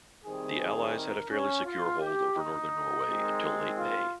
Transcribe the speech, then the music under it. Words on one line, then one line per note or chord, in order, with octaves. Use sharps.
The Allies had a fairly secure hold over northern Norway until late May.
C3 D#3 G3 C4 G#4
A#4
C#4
F4
G4
D#4
D#3 G#3 C4
F4